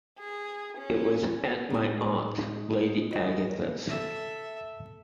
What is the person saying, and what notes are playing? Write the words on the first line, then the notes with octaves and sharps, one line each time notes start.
It was at my aunt, Lady Agatha's.
G#4
C#4
A2 G#3 D#4 G#5
E2 C#3 F4 D#5
A4 E5